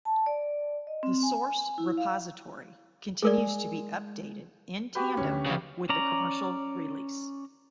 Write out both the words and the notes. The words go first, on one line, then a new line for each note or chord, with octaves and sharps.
The source repository continues to be updated in tandem with the commercial release.
A5
D5
D#5
C4
G#5
E4
F5
G#3 G#4 A#4 D5
F#4 G4 B4
D2 C#4
C#3 F3
C#4 D5 A#5